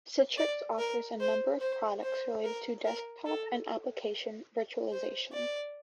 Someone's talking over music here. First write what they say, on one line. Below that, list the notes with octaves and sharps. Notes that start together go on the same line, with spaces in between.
Citrix offers a number of products related to desktop and application virtualization.
D5
A#4
C5
C5
C5
A#4
A#4
A4
C5
D5